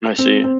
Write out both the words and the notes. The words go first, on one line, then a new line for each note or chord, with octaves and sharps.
I see.
C4
C4